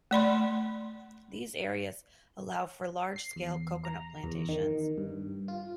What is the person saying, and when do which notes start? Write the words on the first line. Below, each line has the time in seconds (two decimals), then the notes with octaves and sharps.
These areas allow for large scale coconut plantations.
0.11 A3 D5 B5 C6
3.16 C7
3.36 E2
3.85 A#5
4.24 E2
4.49 D#3
4.98 G2
5.48 F4